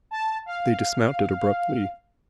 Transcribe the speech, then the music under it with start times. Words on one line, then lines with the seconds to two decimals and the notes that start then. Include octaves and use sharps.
They dismounted abruptly.
0.11 A5
0.46 F5